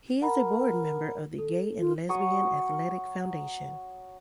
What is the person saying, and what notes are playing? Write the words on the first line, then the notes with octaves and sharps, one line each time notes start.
He is a board member of the Gay and Lesbian Athletics Foundation.
A#4 F#5 A#5 B5
A4
F4
F#3 C#6 D#6